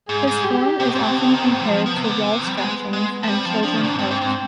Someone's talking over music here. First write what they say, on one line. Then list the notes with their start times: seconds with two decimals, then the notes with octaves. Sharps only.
His form is often compared to wall scratchings and children's art.
0.09 G#2 G#4
0.27 G#2
0.45 G4
0.80 C3 C4
0.88 B2
0.95 G#2
1.03 B2
1.16 D3
1.34 D#3
1.50 G#2 C4
1.63 G3
1.69 F3
1.86 F3 B3
1.96 C3
2.04 D3
2.21 C3 C4
2.47 G3
2.57 G#3 B3
2.93 G#3
3.23 F3
3.27 G3 C4
3.45 F3
3.63 F3 D4
3.75 D#3
3.87 G#2
3.98 G2 C4
4.11 G#2
4.22 G#2